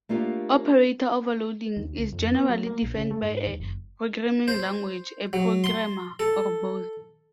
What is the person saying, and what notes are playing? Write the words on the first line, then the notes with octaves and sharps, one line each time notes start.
Operator overloading is generally defined by a programming language, a programmer, or both.
A3 A#3 D4 F4 G4 A#4
D#2
C#2
F2
B3
F#3
A#3
A#1
C#3
A3
G#2
D#2
F#1
C5
F#3
C6
A4